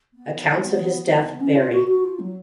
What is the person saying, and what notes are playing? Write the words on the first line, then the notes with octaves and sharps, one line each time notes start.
Accounts of his death vary.
B3
C#4
F4
F#4
F#4
F4
F#3